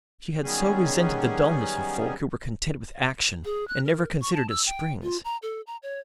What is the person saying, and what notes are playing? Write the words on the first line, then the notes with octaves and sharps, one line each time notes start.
She had so resented the dulness of folk who were content with action and never considered its springs.
D#3 F#3 G3 B3 C#4 G#4
G#4
F#6
A#4
C#6
A5
E6
G5
F4
A#5
A4
A#5
C#5